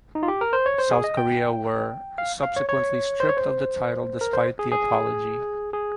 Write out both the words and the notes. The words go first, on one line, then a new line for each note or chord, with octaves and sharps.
South Korea were subsequently stripped of the title despite the apology.
D#4
F4
G4
A#4
C5
C#5
C5
G#4
D#5
G5
F5
F5
C#5
C#5
C5
C#5
C5
A#4
C5
G#4
G#4
G#4